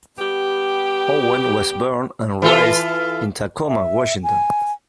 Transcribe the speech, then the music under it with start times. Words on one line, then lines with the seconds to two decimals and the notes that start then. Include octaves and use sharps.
Owen was born and raised in Tacoma, Washington.
0.18 G3 B3 G4
2.42 E3 F4 A4
3.67 E5
4.24 G#5